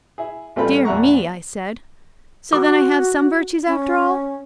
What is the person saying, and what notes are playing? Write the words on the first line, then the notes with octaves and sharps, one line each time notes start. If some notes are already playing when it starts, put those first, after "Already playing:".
"Dear me!" I said, "so then I have some virtues after all!"
E4 G#4
A1 G3 A3 C4 F4 B5
A#1 E2 E5 F#5 A#5 C#6
F#4 D6
C#4